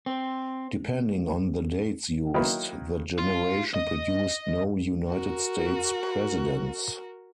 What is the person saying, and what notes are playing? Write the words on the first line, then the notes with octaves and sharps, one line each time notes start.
Depending on the dates used, the generation produced no United States presidents.
C4
D#3 F#3 A#3 E4 B4 B5
F4
D#5
F#4 A#4